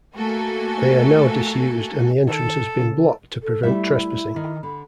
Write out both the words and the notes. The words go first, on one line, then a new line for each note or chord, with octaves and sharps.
They are now disused and the entrance has been blocked to prevent trespassing.
A3 A#3 F#4 A4 G#5
D#3 A4
C#3
A4
G3 A3 E4 E5
D#3
D3 B5